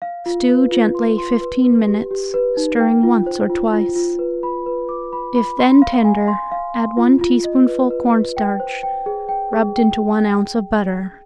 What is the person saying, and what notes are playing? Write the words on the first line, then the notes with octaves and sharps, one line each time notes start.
Stew gently fifteen minutes, stirring once or twice. If then tender, add one teaspoonful cornstarch rubbed into one ounce of butter.
F5
F4
B4
F4
C6
C6
B4
B4
G4
G4
B4
D#4
G5
F4
C5
F4
F4
F4
B4
B5
B4
D6
B5
B5
C6
F5
G#5
C6
F5
C6
F4
F4
D#5
B4
B4
B4
G5
C5
G5
G#4
G5
G#4
G5